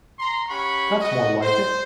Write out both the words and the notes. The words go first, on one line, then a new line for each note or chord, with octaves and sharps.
That's more like it.
A#5 C6
C#4 G4 F#5 B5 C#6
F#4 D#5
C5